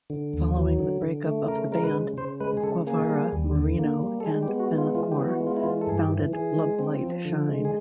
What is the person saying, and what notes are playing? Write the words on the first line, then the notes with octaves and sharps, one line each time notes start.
Following the breakup of the band, Guevara, Murino, and Vanacore founded Lovelight Shine.
D3
D#2
F#3
D3
D3
A3
C#3 A#4
G#3 A#4
B4
C#3
C#3 C5
G#3 B4
G#4
C#3 A4
A#3 G#4
G3
D#2
D3
A#3
G3
A4
G#3 G#4
G4
B3
F#4
G#3
F4
E3 F4
G4
B3
F#4
G#3
F4
E4
E3 F4
A4
G2 G#4
G4
E3
E3 G#4
G#3
C4
F3
D3
G#3
G#4